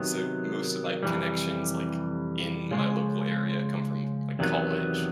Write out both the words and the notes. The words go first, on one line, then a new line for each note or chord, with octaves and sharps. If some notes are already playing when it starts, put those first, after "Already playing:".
so most of my connections, like, in my local area come from, like, college
Already playing: C3 D#3 F#3 B3
F2 C3 E3 G3
C#3 F3 G#3 C#4
E2 C3 D#3 F#3 B3